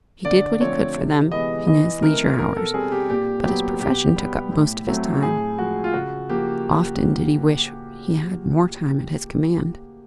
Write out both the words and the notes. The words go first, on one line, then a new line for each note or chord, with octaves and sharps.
He did what he could for them in his leisure hours, but his profession took up most of his time: often did he wish he had more time at his command.
D3 D5
F3 A3 C4 C#5
C3
E3 G#3 B3 D#5
E3 D#5
A3 C4 A#4
B2 A#4
A4
G3 C4 G#4
G4
A#2 G4
F#3 B3 G4
B2 G4
G3 B3
A2
F#3 A3 C4
A2 G#4
F3 G#3 F#4
F4
C#3 F#4
F3 A#3 G4